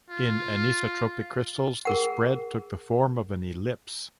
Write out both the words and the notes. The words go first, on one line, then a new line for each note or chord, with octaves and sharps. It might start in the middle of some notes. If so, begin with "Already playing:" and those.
In anisotropic crystals the spread took the form of an ellipse.
F4
G#4 A#4 F#5